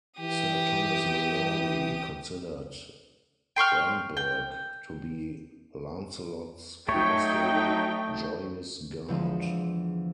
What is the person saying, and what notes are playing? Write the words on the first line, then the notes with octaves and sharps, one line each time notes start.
Sir Thomas Malory considered Bamburgh to be Lancelot's castle Joyous Gard.
E3 G4 D#6
G5 C6 C#6 F6
G5
F#3 A3 D#4 C#5 G5
E2 D3 F3 G#3